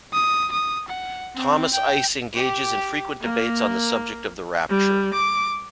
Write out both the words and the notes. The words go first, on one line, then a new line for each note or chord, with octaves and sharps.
Thomas Ice engages in frequent debates on the subject of the Rapture.
D#6
D#6
F#5
C4
G5
G4
A#3
G3
D6